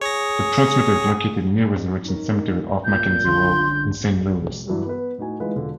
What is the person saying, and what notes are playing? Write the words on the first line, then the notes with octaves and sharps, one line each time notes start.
The transmitter is located near Resurrection Cemetery off Mackenzie Road in Saint Louis.
G#4 C#5 A#6
C#4 D#4 A#4
G#3
A#2 G6
D3 G3 C#4 F4 C6
E1
G2 E3 F#3 G3
B3 B4
A2 D#4 F#4 G#5
E3 G#3 D#4 F4 B4
E1 D3 F4 A4